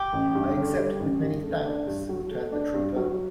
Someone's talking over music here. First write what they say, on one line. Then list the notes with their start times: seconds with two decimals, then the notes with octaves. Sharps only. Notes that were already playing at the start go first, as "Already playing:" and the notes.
"I accept it with many thanks," returned the trooper.
Already playing: G4
0.13 A1
0.35 G2
0.57 D3
0.78 G3
1.00 A1
1.22 G2
1.44 A3
1.65 D4
1.87 G2
2.09 F#3
2.30 A3
2.52 D4
2.74 G2
2.96 F#3